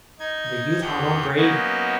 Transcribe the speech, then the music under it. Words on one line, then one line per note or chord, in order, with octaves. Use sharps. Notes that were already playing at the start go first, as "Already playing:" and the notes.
The youth held on bravely.
D#4 G#6
E2 G4 G#4 F#5 G6
F#3 A#3 B3 C#4 D#4 F#4